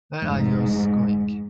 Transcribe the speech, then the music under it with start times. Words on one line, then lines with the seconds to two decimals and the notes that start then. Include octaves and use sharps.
Where are yous going?
0.22 F1 G#2